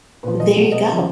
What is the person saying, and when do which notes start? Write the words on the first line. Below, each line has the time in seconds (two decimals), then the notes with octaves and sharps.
There you go.
0.23 A#2 F3 B4
0.40 D#5
0.56 B2 F#3
0.72 D#5
0.88 C#3 F3